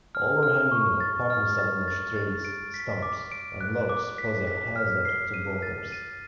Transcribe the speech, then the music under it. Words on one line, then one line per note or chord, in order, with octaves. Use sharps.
Overhanging or partly submerged trees, stumps, and logs pose a hazard to boaters.
F6
F6
C#6
A6
F6
A6
A6
A6
D7
B6
D6
D7
F#6
D6
B6
B6
F6
C7
D#7
A6
D#7